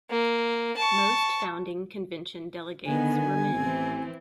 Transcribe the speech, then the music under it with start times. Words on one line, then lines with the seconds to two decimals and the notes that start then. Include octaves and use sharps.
Most founding convention delegates were men.
0.10 A#3
0.77 A5 C#6
2.86 D3 D#3 B3 G#5
3.55 A1 E3 C4